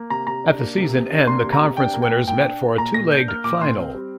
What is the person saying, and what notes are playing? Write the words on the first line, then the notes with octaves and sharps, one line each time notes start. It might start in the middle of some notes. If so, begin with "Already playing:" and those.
At the season end, the conference winners met for a two-legged final.
Already playing: A#3
C3 A#5
C3 A#5
D4
A#3
C3
C3
D4
A#3 C6
C3
A#5
C3
D4 G5
A#3
G5
A#2
A#2 G5
D4
A#3
A#2 A#5
A#2 A#6
D4 G6
A#3 F6
A#2 D6
A#2 C6
C4
G3